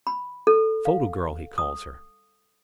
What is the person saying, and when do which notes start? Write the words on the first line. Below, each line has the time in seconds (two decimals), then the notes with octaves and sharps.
Photo girl he calls her.
0.07 B5
0.47 A4
0.85 F5
1.58 D#6